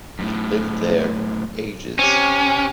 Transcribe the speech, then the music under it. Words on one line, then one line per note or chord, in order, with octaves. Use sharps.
Lived there — ages.
F#2 A2
C4 C#4 G4